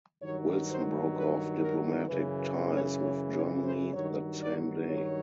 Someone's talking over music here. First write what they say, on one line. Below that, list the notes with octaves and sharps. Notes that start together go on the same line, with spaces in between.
Wilson broke off diplomatic ties with Germany that same day.
G2 D#3 F#3 C#5
C5
B4
A#4
F#2 C#3 E3 B4
B4
C#5
C#5
C#5
C5
G2 D#3 F#3 C#5
D5
C#5